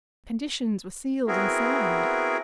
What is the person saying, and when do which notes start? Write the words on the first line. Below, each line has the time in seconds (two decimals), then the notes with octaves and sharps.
Conditions were sealed and signed.
1.28 B3 C4 E4 F#4 G#4 A#4